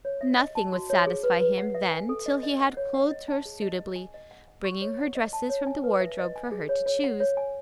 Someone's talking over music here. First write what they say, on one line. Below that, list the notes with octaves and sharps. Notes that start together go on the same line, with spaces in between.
Nothing would satisfy him then till he had clothed her suitably, bringing her dresses from the wardrobe for her to choose.
C#5
E5
D#5
A5
F#4
C#5
G#4
B4
B4
F#5
E5
G#5
A4
D#5
D#5
F#5
C#5
F#5
D#5
A5
G#4
D#5
D#5
G#5
D#5
F#5
F#5
C#6
C#5
F#5
D#5
A5
C#5
G#5
B4
E5
D#5
G#5
G#4
C#5
C#5
F#5
C#5
G#5